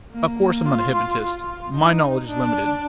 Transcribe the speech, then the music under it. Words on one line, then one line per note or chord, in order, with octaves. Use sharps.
Of course I'm not a hypnotist; my knowledge is limited.
A#3
F4
F4
D#4
D4